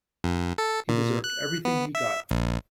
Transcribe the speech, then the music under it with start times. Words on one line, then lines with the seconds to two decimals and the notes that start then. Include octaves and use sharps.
He deserved everything he got!
0.24 F2
0.58 A4
0.89 A#2
1.24 F#6
1.65 B3
1.95 E5
2.31 A#1